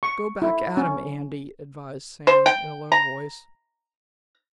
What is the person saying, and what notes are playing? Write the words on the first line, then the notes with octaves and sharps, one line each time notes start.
"Go back at him, Andy," advised Sam, in a low voice.
C#6
E4
C#4
C5
G5
A#5